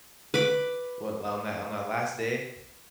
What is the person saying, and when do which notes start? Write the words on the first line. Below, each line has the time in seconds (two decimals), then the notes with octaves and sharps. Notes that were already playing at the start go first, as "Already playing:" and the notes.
What on that on that last day,
0.34 B4 B5 D6